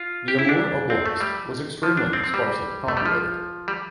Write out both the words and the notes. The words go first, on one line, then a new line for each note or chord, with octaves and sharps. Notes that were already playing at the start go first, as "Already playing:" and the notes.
The Amur Oblast was extremely sparsely populated.
Already playing: F4
G4
E4
D4
C4
A3
G3
F3
D4
C4
C4
G3
A3
G3
F3
G3